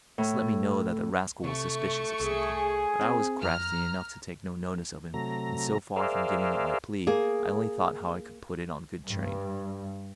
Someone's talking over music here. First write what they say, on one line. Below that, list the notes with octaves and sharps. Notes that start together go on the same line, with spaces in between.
This let me know that the rascal was suspicious of something; but I was crafty enough to take no notice of him, and so far from giving up my plea, I only thought how I could put it on good train.
A2
C3 A3 C#6
C2 G#4
C4
F2 A#5 F6
C3 F#3 A3 A#5
G#4 A#4 C5 D5 E5 F5
A#3 G#4
G2